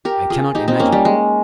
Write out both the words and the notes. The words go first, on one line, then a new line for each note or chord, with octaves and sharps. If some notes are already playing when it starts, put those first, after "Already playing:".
I cannot imagine.
G4 A#4
F4 G#4
D#4 G4
C4 D#4
A#3 C#4
G3
G#3